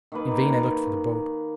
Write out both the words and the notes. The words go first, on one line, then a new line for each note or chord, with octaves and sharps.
In vain I looked for the boat.
D#3 A#3 B4